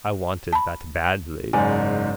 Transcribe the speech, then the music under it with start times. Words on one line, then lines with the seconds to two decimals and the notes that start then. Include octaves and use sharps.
I wanted that badly.
0.53 A5 B5
1.53 F#1 G#2 D5 G#5